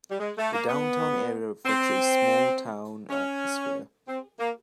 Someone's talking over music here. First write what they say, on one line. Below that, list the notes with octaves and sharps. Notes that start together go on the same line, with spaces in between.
The downtown area reflects a small-town atmosphere.
G3
G#3
A3
A#3
B3
C4
C#4
C4
A#3